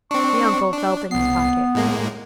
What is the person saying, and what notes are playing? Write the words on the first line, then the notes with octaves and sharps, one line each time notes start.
The uncle felt in his pocket.
C4 D4 C#6
D4
C2 B3 C7
A2 G#3 A#3